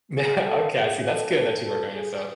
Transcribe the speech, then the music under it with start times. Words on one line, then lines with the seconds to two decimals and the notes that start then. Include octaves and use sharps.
Yeah, okay, I see, that's good that you work on yourself.
0.17 G#4
0.46 A4
0.76 G#4
1.05 A4
1.34 A4
1.63 A4
1.93 G#4